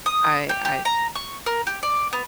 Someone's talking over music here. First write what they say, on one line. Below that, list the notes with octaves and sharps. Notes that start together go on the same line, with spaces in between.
I I
D#6
G4
G4
A#5
C#6
A#4
G4
D5
B3